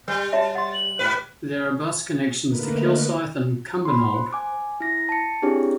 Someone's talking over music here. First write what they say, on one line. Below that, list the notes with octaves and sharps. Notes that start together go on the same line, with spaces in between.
There are bus connections to Kilsyth and Cumbernauld.
G3 B4 G6
F#4 C#5 E5 A5
F#5 C6 A6
F#7
G#2 B4
D3 A3 A#3 D#4 A#4 B4
B5 C6
C5
G#5 D6
E4 A#6
A5 C#7
C4 D4 E4 G4 G#4 C#5